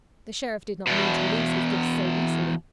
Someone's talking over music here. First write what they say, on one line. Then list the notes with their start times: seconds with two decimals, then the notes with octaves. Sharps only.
The Sheriff did not mean to lose his gifts so easily.
0.87 E2 B2